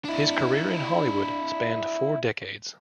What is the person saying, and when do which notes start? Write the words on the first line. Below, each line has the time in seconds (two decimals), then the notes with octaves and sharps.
His career in Hollywood spanned four decades.
0.05 D4 E4